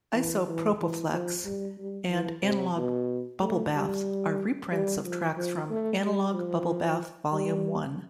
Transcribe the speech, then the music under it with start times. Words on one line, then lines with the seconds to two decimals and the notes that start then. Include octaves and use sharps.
"Isopropophlex" and "Analogue Bubblebath" are reprints of tracks from "Analogue Bubblebath Volume One".
0.14 E3
0.48 E3
0.80 E3
1.12 F3
1.45 G3
1.78 G3
2.10 E3
2.43 C3
2.76 B2
3.41 A3
3.74 G3
4.72 G3
5.05 F3
5.37 F3
5.70 A3
6.02 G3
6.34 F3
7.32 G3